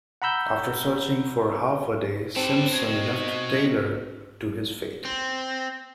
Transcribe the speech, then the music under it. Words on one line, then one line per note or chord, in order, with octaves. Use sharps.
After searching for half a day, Simpson left Taylor to his fate.
F#5 A#5 B5 E6 G6
C4 G4 A4 B4 A5
B2 F#4 D#5 G#6
C4